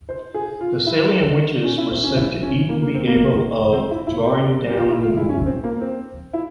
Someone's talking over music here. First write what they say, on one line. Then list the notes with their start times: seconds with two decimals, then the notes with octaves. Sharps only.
Thessalian witches were said to even be able of drawing down the moon.
0.09 C5
0.34 G#4
0.61 F4
0.87 E4
1.64 C#4
1.78 E4
1.91 C4
2.04 C#4
2.17 E4
2.43 C#4
2.69 A#3
2.81 A#3
2.94 C4
3.07 A#3
3.72 C4
3.91 E4
4.07 E4
4.25 G4
4.69 G4
4.77 F4
4.90 E4
5.03 F4
5.17 E4
5.29 C#4
5.46 C4
5.64 A#3
5.81 C4
6.33 E4